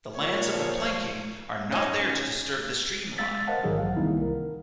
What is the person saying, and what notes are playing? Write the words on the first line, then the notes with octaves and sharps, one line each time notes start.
The lands of the planking are not there to disturb the stream line.
A#2 C#5
F3
C#4 D#4
G#3 F5 E6 A6 B6
A#4 C5 D#5 F5 F#5 A5
A#1 G#2 D#3 F#3 G#4 A#4
B1 E3 F5 F#5
C2 D#3 A#3 C4 D#4 E4
A#4